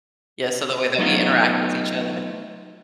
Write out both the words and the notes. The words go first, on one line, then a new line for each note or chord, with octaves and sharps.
Yeah, so the way that we interact with each other.
F#3 A3 B3 D#4 F4